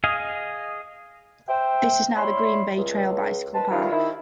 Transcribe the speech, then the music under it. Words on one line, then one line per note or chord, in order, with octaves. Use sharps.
This is now the Green Bay Trail bicycle path.
G#4 D#5 F5
C5 E5 G5
E4 C#5 D5 E5 B5 C6
C#2
D#3 B4 C5 A5
D2 C3 D#3 E4 F4
D#3 E4